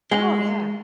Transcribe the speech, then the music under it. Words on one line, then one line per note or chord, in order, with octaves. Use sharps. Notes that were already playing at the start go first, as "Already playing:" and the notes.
Oh, yeah.
G#3